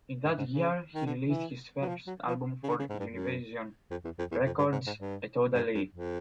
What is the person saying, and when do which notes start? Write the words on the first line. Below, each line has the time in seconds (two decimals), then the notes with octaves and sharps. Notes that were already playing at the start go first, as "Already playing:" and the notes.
In that year, he released his first album for Univision Records, A Toda Ley.
0.25 G#2
0.38 G#2
0.52 C#3
0.94 D#3
1.06 D3
1.27 E3
1.81 F#3
1.88 F3
2.07 F#3
2.27 F3
2.63 C#3
2.69 D3
2.79 C#3
2.89 G#2
2.99 G2
3.10 F#2
3.91 F2
4.04 E2
4.19 F2
4.31 E2
4.46 F2
4.58 G2
4.72 G#2
4.86 G#2
4.99 G2
5.54 G2
5.74 F#2
5.94 F2